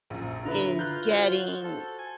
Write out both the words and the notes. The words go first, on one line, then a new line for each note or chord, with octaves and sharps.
is getting
A#1 F#2
D3 E4 B4 A#5
F4 F#6 G6
F#4 C5
A4
G#5